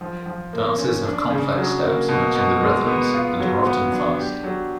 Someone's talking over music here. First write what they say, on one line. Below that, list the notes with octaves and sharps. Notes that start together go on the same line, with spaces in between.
Dances have complex steps matching the rhythms, and are often fast.
F3
F3
A#3
C#4
D4
C#3
F#3
A#3
B2
B2
G#3
B3
F4
F#3
B3
D4
G4
F#3